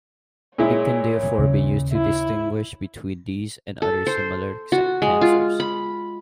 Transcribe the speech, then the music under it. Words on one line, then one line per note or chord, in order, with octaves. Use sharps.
It can therefore be used to distinguish between these and other similar cancers.
A#2 G#3 E4 C#5
D#2 C#3 C#4
E4
A4
C5
F#4
G#3
F4
B5